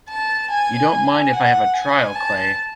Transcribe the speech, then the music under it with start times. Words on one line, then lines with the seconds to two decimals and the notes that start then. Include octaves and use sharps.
You don't mind if I have a trial, Clay.
0.09 A5
0.50 G#5
0.92 G#5
1.33 F#5
1.74 G#5
2.15 A5